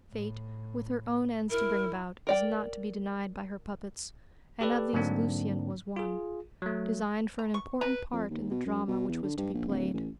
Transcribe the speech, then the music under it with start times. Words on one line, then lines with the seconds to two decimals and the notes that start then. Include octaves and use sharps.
Fate, with her own ends to bring about is not to be denied by her puppets; and of these Lucian was one, designed for an important part in the drama which was to be played.
0.12 A2
1.50 E4 A#4
2.27 A#4 D5 G5
4.61 G4 A4 B4 D5
4.93 G#2 D3 F#3 A#3 C4 D4
5.96 F4 G#4
6.62 F#3 A3
7.39 A#5
7.54 C#6
7.81 B4 A#5
8.12 F2
8.30 D#2
8.51 B2
8.65 F#2
8.88 B2
9.08 E2
9.23 D3
9.37 G2
9.54 A#1
9.69 D1
9.94 A1